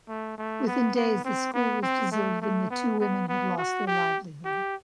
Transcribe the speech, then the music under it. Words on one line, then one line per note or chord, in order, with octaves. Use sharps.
Within days the school was deserted and the two women had lost their livelihood.
A3
A3
B3
B3
C4
B3
C4
A3
A3
B3
B3
B3
F#4
G4
G4